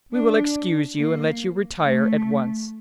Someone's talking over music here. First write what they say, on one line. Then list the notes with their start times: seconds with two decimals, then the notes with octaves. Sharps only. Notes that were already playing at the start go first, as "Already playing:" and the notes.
"We will excuse you and let you retire at once."
0.13 D4
0.98 A#3
1.81 A3